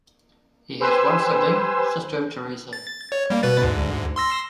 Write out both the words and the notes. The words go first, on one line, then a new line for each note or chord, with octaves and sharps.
He has one sibling, sister Teresa.
G4 B4 C5 G#5 E6
A6
C#5
G3 A#3
B2 B4 A6
D2 G#2
C6 E6 A#6